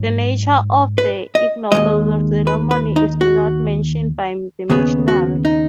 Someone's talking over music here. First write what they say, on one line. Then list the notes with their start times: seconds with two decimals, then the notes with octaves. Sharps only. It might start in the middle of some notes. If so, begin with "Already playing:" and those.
The nature of the ignoble ceremony is not mentioned by the missionary.
Already playing: G#2 F#3
0.98 B4
1.35 D#5
1.72 D#2 D#3 G#3 D#5
2.47 B4
2.71 B4
2.96 D#4
3.21 F#4
4.70 D#2 C#3 B3 G#4
5.08 F#4
5.45 D#4